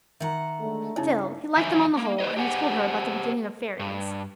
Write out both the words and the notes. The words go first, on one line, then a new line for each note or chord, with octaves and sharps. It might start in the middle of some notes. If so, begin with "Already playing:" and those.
Still, he liked them on the whole, and he told her about the beginning of fairies.
D#3 E5 F#5 A#5
D3 G#3 A3
G2 C#3 D#4 E4 C#5
E2 D#3 E3 F#3 E5 G#5
A#3
B4 C5 D#5
G4 G#4 C5 F#5 G#5
G2